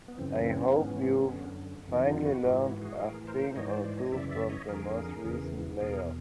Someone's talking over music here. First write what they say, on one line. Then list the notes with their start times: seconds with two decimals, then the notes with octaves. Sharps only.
I hope you've finally learned a thing or two from the most recent layoff.
0.08 B3
0.18 F#2 C#3 E3 C4
0.32 B3
0.46 C4
0.61 B3 C#4
0.75 G#2 E3
1.30 F#2 D3
1.88 F2 C3 D#3
2.06 D#4 F4
2.25 E4 F#4
2.43 G#2 E3 F4 G4
2.62 E4 F#4
2.81 F#4 G#4
2.99 A2 E3 G#4 A#4
3.27 A#4 C5
3.56 G#2 E3 C#5 D#5
3.69 C5 D5
3.84 C5 D5
3.98 C#5 D#5
4.12 F#2 C#3 E3 D5 E5
4.30 D5 E5
4.49 C#5 D#5
4.68 F2 D3 G#4 A#4
5.24 E2 C#3 E3
5.80 E2 B2 G#4 A#4